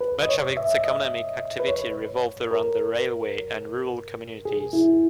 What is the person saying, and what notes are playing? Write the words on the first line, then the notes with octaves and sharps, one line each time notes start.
Much of its economic activity revolved around the railway and rural communities.
B4
D#5
C#5
E5
D#5
B4
C#5
A#4
G#4
E4